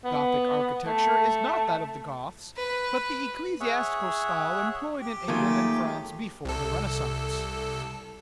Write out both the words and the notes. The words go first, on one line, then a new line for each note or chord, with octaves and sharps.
Gothic architecture is not that of the Goths, but the ecclesiastical style employed in England and France before the Renaissance.
B3
A3
B4
G#4 C#5 E5 F#5
G4
D#3 F#3 A3 A#3 F4 G#4
C2 A4